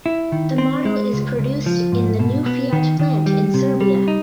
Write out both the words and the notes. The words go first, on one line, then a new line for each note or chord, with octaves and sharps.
The model is produced in the new Fiat plant in Serbia.
E4
D#3
C4
G#3
C#2
C#2
F3
G#2
B2
B3
D#3
D#3
G3
C3
G3
D#4